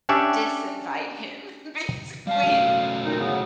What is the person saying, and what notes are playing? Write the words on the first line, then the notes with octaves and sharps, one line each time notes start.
disinvite him, basically."
C#4 D4 G4 C#5 D5 E5
G3 F5 A5
F#3 A3 C#4
A#2 C4 D#4
C#3 B3